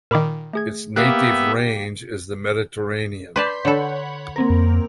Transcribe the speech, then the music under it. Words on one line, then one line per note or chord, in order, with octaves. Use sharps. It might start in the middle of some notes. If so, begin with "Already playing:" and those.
Its native range is the Mediterranean.
A#2 D#3 A#4 B5 D6
A3 G#4 G#6
A#3 B3 G4 E5 F#6 B6 C7
B4 D5 A5 C6 G6 B6
D3 A4 C#5 F#5 B5
A#3 C4 A#4
F2